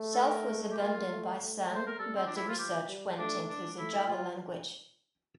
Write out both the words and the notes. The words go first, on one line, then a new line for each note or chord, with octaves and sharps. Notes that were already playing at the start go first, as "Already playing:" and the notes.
Self was abandoned by Sun, but the research went into the Java language.
Already playing: A3
A4
A#4
A3
G4
A#3 F4
A3
A3
A3
C5
A#4
G3 A4
C4
F3 D4
E4
F4
G4
G3
A3 D4
D4
A3 E4
E4
F3 F4